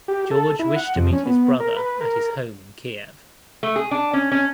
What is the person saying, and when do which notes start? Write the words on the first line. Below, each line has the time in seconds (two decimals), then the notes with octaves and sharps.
George wished to meet his brother at his home in Kiev.
0.08 G4
0.31 A4
0.59 E4
0.76 F#5
0.95 F2
1.13 C#4
1.25 B3
1.60 A#4
1.76 B4
2.01 A#4
3.63 A3
3.76 G#4
3.91 D4
4.13 C#4
4.32 C#4